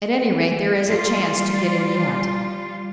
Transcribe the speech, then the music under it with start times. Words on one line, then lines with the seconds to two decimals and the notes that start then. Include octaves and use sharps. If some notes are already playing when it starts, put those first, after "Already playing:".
At any rate, there is a chance to get him yet.
0.90 G3 F4